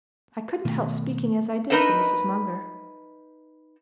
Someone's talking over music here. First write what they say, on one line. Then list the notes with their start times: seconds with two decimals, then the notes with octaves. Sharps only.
"I couldn't help speaking as I did to Mrs. Munger."
0.65 B2 D#3 A3
1.70 D#4 F#4 A#4 B4 D#5 E5